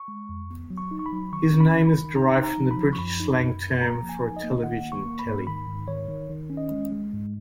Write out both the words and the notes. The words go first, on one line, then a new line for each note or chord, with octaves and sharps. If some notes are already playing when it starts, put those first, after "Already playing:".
His name is derived from the British slang term for a television, "telly".
Already playing: C#6
G#3
F2
B3
F#3
C#6
D#4
C#6
B5
F#3
D#3 C#6
C#4
B5
D#3
B5
D#3
D#4 A#5
D#4
A#5
F3
B5
F3
C#6
F#2 B5
D#4
F#2
F#2
A#3 A#5
F3
G#5
D#4
D#5
A#3
D#3 F#5
A#3
C#6
A#3
B5
G#2
D#3 B5
G#2
D#3 C#5
D#3
D#3
C#4
D#5
G#3
G#3
G#2